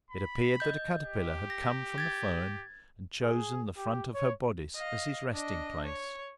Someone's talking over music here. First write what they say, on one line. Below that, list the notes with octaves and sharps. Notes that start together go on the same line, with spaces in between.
It appeared that a caterpillar had come from the fern and chosen the front of her bodice as his resting place.
B5
D#5 G6
G4
A#6
G#6 A6
G#4
G4
C#5
D#5 F5
D4 D#5
C#5